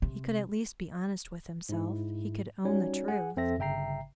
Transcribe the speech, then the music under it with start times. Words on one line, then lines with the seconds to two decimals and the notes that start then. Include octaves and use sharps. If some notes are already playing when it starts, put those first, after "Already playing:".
He could at least be honest with himself, he could own the truth.
0.02 C3
1.69 G#2 E4
2.65 G3 C#4 D#4 F#4 C#5
3.08 G#4 F#5 G#5
3.37 F2 C4 A4 E5 A#6
3.58 G1 C#3 E5 G5 A#5 C7